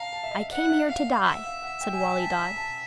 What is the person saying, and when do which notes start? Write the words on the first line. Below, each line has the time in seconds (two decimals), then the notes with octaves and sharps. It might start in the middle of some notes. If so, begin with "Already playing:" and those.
'I came here to die,' said Wali Dad.
Already playing: F5 A5 A#5
0.13 A5
0.23 E5
0.31 D#5
0.50 D5 F#5
0.69 E5
0.88 F5 F#5
1.25 E5 F#5
1.44 F5
1.62 F#5
1.81 G5
1.93 G#5
2.01 G5
2.19 A5
2.38 A#5
2.57 A5